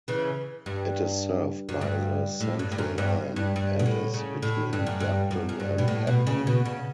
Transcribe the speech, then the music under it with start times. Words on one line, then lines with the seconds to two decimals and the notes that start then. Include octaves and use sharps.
It is served by the Central line and is between Debden and Epping.
0.08 C#3 E3
0.66 G2
1.69 F#2
1.81 G2
2.40 A2
2.59 G2
2.72 G2
2.78 F#2
2.98 G2
3.36 G2
3.56 G2
3.79 B2
3.86 A2
4.14 C#3
4.43 A2
4.73 G2
4.86 F#2
5.00 G2
5.31 F#2
5.49 F#2
5.60 G2
5.78 B2
5.88 A2
6.07 B2
6.27 C#3
6.47 B2
6.65 C#3